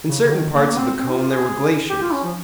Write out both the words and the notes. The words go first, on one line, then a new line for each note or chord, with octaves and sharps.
In certain parts of the cone there were glaciers.
C#3
C#3
D#3
A#3
A#3
C4
C4
D#4
F4
G#4
G4
F4
C#4
F3